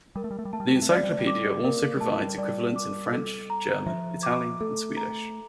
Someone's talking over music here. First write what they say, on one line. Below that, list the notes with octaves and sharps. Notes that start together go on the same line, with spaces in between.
The encyclopedia also provides equivalents in French, German, Italian, and Swedish.
G3 A#4
A3
G3
A3
G3
A3 A5
G3
A3
G3
A3
G3 D5
A3
G3
A3
G3
D6
A#3 A#4
A#3
G3
A3 A5
G3
G3 D5
D6
A4
A#5
F3 E5
D6
A3 A4
A#5